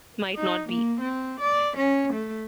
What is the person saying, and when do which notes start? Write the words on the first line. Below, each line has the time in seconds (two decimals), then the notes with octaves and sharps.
It might not be.
0.36 D#4
0.68 A#3
1.00 C4
1.40 D5
1.77 C#4
2.13 A3